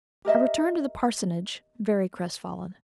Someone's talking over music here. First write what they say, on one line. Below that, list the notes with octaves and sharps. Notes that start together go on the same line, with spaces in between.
I returned to the parsonage, very crestfallen.
G4 A#4 D#5 E5